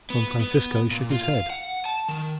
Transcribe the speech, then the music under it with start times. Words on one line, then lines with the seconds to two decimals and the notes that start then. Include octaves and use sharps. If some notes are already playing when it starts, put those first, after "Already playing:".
Don Francisco shook his head.
0.10 B3
0.40 B3
0.91 A#2
1.11 F4
1.23 F5
1.50 F#5
1.85 A5
2.08 D#3